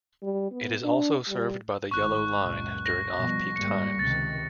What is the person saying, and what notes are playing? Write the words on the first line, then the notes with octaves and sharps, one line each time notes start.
It is also served by the Yellow Line during off-peak times.
G3
B3
D4
G3
G#1 C#6 F#6
C#2 F#2 A#2
A#6
B2 F3 G3
G#1 G3 A#3 C#7
C#2 C3 D#3 A6